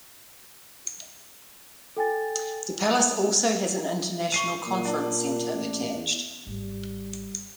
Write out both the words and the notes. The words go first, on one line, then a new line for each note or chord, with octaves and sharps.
The palace also has an international conference centre attached.
A4 G5 G#5 A6
C#6 C7 D#7
A#2
D4
A1
E2
G#1 G3